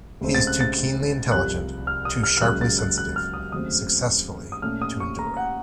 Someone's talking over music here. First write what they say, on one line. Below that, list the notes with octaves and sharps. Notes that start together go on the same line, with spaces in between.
He is too keenly intelligent, too sharply sensitive, successfully to endure.
C#2 C#3 A3 C4
A6
F#6
A6
C2 C3 F3 F#6
F6
D#6
F6
F6
C#2 C#3 F#3 A#3 F#6
A6
F#6
F#6
F6
D#6
D#2 C#3 F#3 A3 C4 D#6
D#6
A#2 A3 C#4 F6
D#6
C#6
A#5
F#5